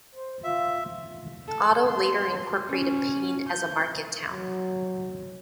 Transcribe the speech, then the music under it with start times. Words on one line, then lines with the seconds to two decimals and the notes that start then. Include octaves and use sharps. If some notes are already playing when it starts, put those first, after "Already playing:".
Otto later incorporated Peine as a market town.
0.15 C5
0.44 F4 E5
1.48 A4
1.87 C6
2.69 C#4
3.49 G6
4.32 F#3